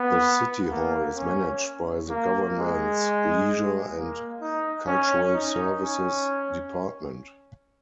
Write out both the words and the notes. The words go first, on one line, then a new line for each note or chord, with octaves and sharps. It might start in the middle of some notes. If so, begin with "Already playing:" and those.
The City Hall is managed by the Government's Leisure and Cultural Services Department.
Already playing: B3
A#3
C#4
A#3
G#3
A#3
D#4
C#4
D#4
C#4